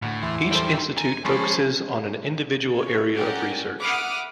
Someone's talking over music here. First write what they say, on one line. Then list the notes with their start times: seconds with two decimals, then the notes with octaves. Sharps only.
Each institute focuses on an individual area of research.
0.02 D2 A2
0.22 E2 E3 C6
0.51 G3 D#4 A4 C5 G5
0.97 G#5 A#5
1.25 F3 G#3 C#4 C5 C#5 A5 B5
2.74 C#5
3.14 C#4 G4 A#4 D5 F#5 G5
3.79 E5 F#5 B5 D6 D#6 F6